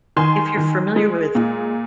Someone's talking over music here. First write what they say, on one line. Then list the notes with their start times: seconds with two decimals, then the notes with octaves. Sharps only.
If you're familiar with
0.17 D#3 G#5 C6
0.57 D#3
0.96 G#3
1.35 A#2